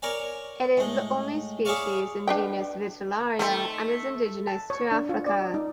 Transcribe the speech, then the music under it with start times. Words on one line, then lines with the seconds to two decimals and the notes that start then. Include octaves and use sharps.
It is the only species in genus Vitellaria, and is indigenous to Africa.
0.02 A#4 C#5 D5 G#5
0.77 A2 G#3
1.65 E4 G#4 C#5 D5 F5 C#6
2.27 D4 B4 G5
3.39 D#3 A3 C4
4.47 A5
4.70 C#5
4.92 D4
5.09 F4
5.27 D5
5.54 D#4